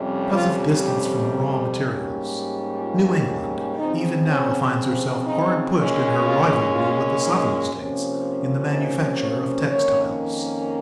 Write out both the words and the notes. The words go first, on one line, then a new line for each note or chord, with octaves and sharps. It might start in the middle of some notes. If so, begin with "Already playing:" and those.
Because of distance from raw materials, New England even now finds herself hard pushed in her rivalry with the Southern states in the manufacture of textiles.
Already playing: F2 C3 G3 C#4
F4
G4
G#2 G3 A#3 C#4
F4
C#3 F3 C4 D#4
C#4
D#4
A#2 G#3 C#4
F4
F4
D#4
C3 F3 A#3 C#4
D#4
C#5
F2 D#3 A#3 C#4 C#5